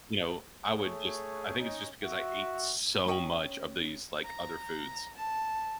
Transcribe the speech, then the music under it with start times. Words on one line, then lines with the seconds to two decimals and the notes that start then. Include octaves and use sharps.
you know, I would just, I think it's just because I ate so much of these, like, other foods.
0.64 A3 G#4 C#5
1.57 C#4 D#4 C#5 D#5
2.02 F#4 E5
3.08 C#4 C#5 D#5 G5
4.24 A#5
5.15 A5